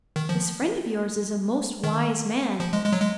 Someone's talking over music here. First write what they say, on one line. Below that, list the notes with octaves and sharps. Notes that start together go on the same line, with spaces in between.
This friend of yours is a most wise man.
D#3
F3
D#3
F3
G#3
G#3
F#3
G#3